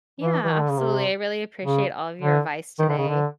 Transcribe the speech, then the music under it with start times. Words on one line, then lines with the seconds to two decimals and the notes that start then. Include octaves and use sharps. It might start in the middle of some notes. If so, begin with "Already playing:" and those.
Yeah. Absolutely. I really appreciate all of your advice today,
0.20 E3
0.44 E3
0.52 D#3
0.61 D3
0.70 C#3
0.78 C3
1.65 C#3
2.22 D3
2.79 D#3
2.89 D3
2.98 C#3
3.08 D3